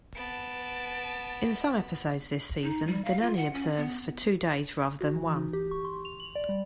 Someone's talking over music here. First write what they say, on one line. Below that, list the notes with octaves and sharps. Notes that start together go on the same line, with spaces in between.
In some episodes this season, the nanny observes for two days rather than one.
B3 A5 D7
D#4
G3
F5
F4
F#5
C#4
B3
F#4
E3
D#4
G4
C#6
C6
F7
F#7
D5
G3